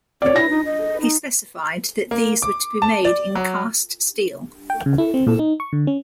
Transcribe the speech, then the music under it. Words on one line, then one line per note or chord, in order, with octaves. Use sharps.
He specified that these were to be made in cast steel.
C4 C#5 D5
E4 A#6
D#4
D#5
D#4
A#3
D6
A5
D5
F#3
G5
C#3
E4
C4
A#2
D#4
C#6
D3
C#4